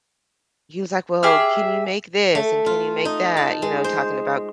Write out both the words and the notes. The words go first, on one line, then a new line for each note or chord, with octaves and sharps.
he was like, “Well, can you make this and can you make that?” You know, talking about
G4 G#4 E5 F6
A3
F4
D#4
A5
G#3
C5